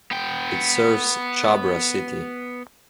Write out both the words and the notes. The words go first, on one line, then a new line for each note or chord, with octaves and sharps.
It serves Chhabra city.
B3 G5